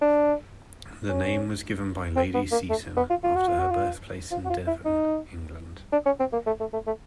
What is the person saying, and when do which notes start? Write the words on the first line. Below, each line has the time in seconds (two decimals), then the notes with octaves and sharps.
The name was given by Lady Seaton after her birthplace in Devon, England.
0.01 D4
1.09 C#4
2.16 C4
2.34 B3
2.52 A#3
2.70 A3
2.97 B3
3.10 F4
3.24 F4
3.36 F#4
3.48 F4
3.59 F#4
3.71 F4
4.31 F4
4.45 F#4
4.50 F4
4.67 E4
4.85 D#4
5.93 D4
6.06 C#4
6.20 C4
6.33 A#3
6.46 A3
6.60 A3
6.73 A3
6.87 A3